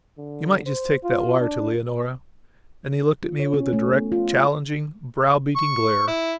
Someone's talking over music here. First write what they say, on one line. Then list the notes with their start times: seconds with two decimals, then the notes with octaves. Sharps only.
"You might just take that wire to Leonora." And he looked at me with a direct, challenging, brow-beating glare.
0.17 D3
0.66 C5
1.03 F4
1.40 D4
3.24 F4
3.39 C#5
3.54 C#4
3.73 A3
3.93 B3
4.12 F4
5.56 C#6
6.08 E4